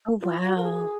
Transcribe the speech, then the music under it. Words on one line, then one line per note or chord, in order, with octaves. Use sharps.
Oh, wow.
F4
F#4
A#4
G#4